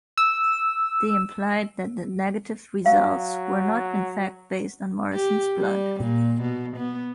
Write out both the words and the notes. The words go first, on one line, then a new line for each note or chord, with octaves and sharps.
They implied that the negative results were not in fact based on Morrison's blood.
E6
F#3 F5
G4
G3
A#2
B2
B3